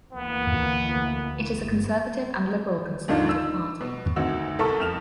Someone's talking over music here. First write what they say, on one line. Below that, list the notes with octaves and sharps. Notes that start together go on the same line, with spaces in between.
It is a conservative and liberal conservative party.
D2 E3 A#3 B3
G1
G#1 D#2 D3 F3 D4 D#4
E6
B2
D2 D#3 C4 D#4 F#4 E6
C2 A4 A#4 A5 C#6 E6
F2 F6 E7 F7